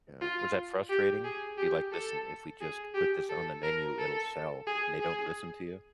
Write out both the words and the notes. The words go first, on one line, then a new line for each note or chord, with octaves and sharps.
Yeah, was that frustrating? Be like, "Listen, if we just put this on the menu, it'll sell," and they don't listen to you?
F4
G4
G#4
G4
A4
G#4
G4
A4
A#4
A4
G#4
G#4